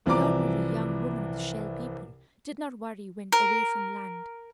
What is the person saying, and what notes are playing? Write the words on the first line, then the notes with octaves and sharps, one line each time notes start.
The ordinary young woman of the Shell People did not worry when away from land.
C2 E3 F3 D5 A#5 D6
A#4